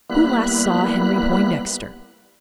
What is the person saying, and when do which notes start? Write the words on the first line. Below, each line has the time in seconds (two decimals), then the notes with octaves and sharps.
Who last saw Henry Poindexter?
0.10 G3 A#3 B3 E4 B5 F#6